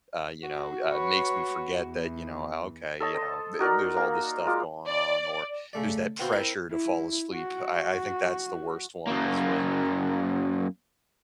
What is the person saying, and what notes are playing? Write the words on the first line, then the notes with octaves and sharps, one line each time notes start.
uh, you know, uh, makes me forget that, you know, okay, you know, th there's all this stuff going on or there's that pressure to fall asleep. I I think that's the worst one is when
F#4
B4 C#5
E2
A4 C#5 D#5 A5
A4 C5
D#4 F#4 A#4 D5
A#3
G#3 F4 D6
D5
C#3 A3 D5
B3 C4 F4 F#4 C5
C4 E4 A#4 C5
E4
F#4
F#2 A#3